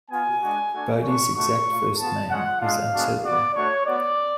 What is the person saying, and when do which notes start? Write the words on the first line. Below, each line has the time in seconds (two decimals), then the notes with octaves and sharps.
Bodey's exact first name is uncertain.
0.11 B3 F4 G#5
0.42 G#3 D4 F#4
0.73 A3 D4 F#4
1.04 A3 D4 F4 C#6
1.36 A3 D4 F#4 C#6
1.68 A3 F4
1.99 B3 F4 A5
2.30 G#3 C#4 F4 F#5
2.61 G#3 D4 F4 F5
2.93 G#3 B3 D4 F#4
3.24 B3 F#4 D5
3.55 A3 D4 F#4 C#5
3.87 B3 F#4 D5